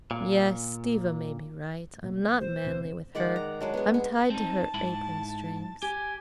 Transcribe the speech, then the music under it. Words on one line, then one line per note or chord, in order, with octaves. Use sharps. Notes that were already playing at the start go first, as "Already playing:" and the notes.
Yes, Stiva may be right, I'm not manly with her, I'm tied to her apron-strings....
A#2
B2 F#3 A#3
C5
D2 B2 C4
D#3 G#3 D5 F#5
A#5
F#3 G#3 D4
B3 G#4
B3
C4 D#4 A5
G#2 E4 B5
G4 G#5